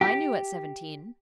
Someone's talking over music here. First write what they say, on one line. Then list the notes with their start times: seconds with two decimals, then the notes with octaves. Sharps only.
"I knew at seventeen."
0.01 G4